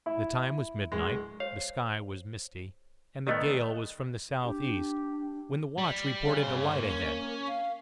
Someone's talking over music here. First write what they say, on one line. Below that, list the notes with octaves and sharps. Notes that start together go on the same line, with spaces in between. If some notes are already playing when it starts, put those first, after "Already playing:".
The time was midnight, the sky was misty, and the gale was from the south-east, when the watch reported a light ahead.
E4
D1 G#3
C5 C#5 F5
D#3 A3 B3 D5 D#5 G5
D4 G4
G3
C#3
G2 C5
A#3
C#4
F5